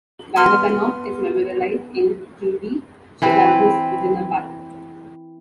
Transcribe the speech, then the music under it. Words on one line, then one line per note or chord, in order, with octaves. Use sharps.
Balabanoff is memorialized in Judy Chicago's "The Dinner Party".
B3 C6 F6
E3 C4 B4